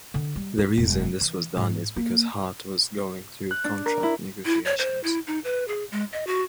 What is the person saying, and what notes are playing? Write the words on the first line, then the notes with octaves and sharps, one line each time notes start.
The reason this was done is because Hart was going through contract negotiations.
D3
G3
D#4
E1
E3
G#2
A#3
F#6
D4
A#4
E4
E4
C#5
C5
E4
D#4
B4
G#4
G#3
D#5
F#4